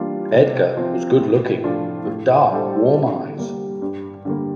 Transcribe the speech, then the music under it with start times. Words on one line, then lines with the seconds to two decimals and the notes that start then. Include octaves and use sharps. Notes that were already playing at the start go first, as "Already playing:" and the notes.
Edgar was good-looking, with dark, warm eyes.
Already playing: E3 G3 A#3 D4 F4
0.34 C3
0.77 F3 C4 F4
1.20 A2
1.64 F3 A3 D4 F4
2.07 A2
2.51 G3 D4 A4 C5
2.94 D3
3.38 G3 A#3
3.82 G2
4.25 D3 G3 A#3